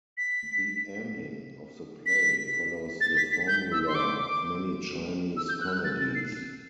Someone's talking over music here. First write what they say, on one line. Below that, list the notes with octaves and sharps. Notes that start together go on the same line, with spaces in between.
The ending of the play follows the formula of many Chinese comedies.
B6
B6
A6
B6
B6
G6
E6
C6
D6
E6
G6
F#6
E6
F#6
A6
A6
C7